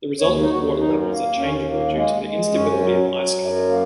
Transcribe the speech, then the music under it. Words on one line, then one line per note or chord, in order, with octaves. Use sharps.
The resultant water levels are changeable due to the instability of ice cover.
D#2 C#5
D#4
D#2 F#4
F#2 D#4
A#3
D#2 C#4
A#3
G#3 A#3
G#3
F#2 C#4
F#3
F#3
F#2
A#3